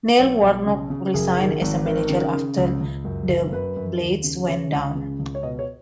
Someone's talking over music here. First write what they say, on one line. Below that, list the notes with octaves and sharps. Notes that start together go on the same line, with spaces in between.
Neil Warnock resigned as manager after the Blades went down.
B1 C#5
B1
C#3
C#3
F#1 G#4
D#3
G#1
D#3
C#3
C#3
C#2
C#2
F#2
F#1
F#2 B4
F#2
D#2
C#3
C#3 C#5
C#2
C#3
C#2
C#5
B2 D#5
C#5